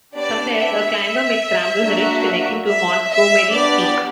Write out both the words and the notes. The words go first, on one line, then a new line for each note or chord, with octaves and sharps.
From there, a climber may scramble the ridge connecting to Montgomery Peak.
B3 D4 G4 D5
E5
A#3 D4 F#4
E5
E5
B3 D4 G4 D5